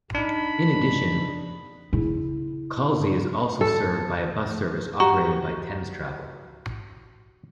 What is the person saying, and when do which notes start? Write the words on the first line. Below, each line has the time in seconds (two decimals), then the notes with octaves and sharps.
In addition, Cholsey is also served by a bus service operated by Thames Travel.
0.15 D4 D#4 B5
1.93 C#3 E4
3.61 A4
5.00 F#4 G4 A#5 C#6